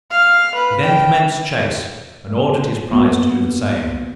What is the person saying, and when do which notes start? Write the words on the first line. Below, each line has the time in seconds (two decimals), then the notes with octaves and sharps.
He then commenced chase, and ordered his prize to do the same.
0.11 F5
0.55 B4
0.83 G5
2.91 A#3 B3 F#4